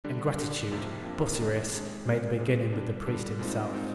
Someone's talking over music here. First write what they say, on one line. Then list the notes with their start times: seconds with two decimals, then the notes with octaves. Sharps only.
In gratitude Busiris made a beginning with the priest himself.
0.04 D3 G3 D4
0.38 D3 G3 D4
0.71 F2 C3 F3 A#3 D4
1.05 F2 C3 F3 A#3 D4
1.39 C3 D#3 G#3 D4
1.72 C3 D#3 G#3 D4
2.05 A#2 G#3 C4
2.38 A#2 G#3 C4
2.72 D3 G3 D4
3.06 D3 G3 D4
3.39 A#2 G#3 C4 D#4
3.73 A#2 G#3 C4 D#4